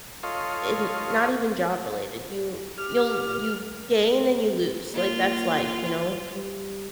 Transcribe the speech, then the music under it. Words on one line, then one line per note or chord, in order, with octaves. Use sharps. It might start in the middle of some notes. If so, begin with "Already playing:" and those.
in not even job related. You you'll you gain and you lose. Like, that's life, you know?
F4 A4 C#5 D#5 F5 C6
G4 F6
A#3 F4
G3